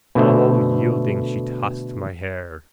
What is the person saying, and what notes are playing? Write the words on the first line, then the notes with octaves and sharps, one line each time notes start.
All yielding she tossed my hair.
B2 D3 A3 C5